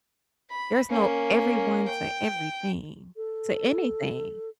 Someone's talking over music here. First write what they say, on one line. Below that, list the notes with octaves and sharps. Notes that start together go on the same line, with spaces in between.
There's no everyone to everything to anything.
B5
A#3 C#4
G5
A4